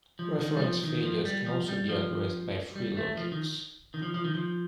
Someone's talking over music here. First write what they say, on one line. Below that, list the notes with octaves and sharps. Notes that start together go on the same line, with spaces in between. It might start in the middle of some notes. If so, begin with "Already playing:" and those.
Reference failures can also be addressed by free logics.
F3
D#3
G3
F3
D#3
F3
G3
F3
G3
F3
G3
A3
F3
D#3
D#3
F3
F3
D#3
F3